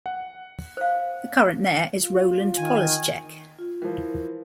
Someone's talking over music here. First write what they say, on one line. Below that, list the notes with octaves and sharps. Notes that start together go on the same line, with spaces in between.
The current mayor is Roland Polaschek.
F#5
C5 F5
F4
D#3 G#5
F4
E3 F3 A#4